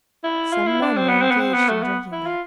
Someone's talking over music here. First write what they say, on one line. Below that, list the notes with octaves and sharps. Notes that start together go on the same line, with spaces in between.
Some men were engaged in drinking there.
E4
F4
E4
D4
C4
B3
C4
B3
C4
B3
A3
B3
E4
F4